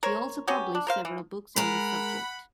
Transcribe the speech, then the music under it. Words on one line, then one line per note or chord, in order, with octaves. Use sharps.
He also published several books on this subject.
A#4 C5 C#5
F#3 B3 C#4 G4
D4
A#4 C5 F5
E3
G#3 A#4 F#5 B5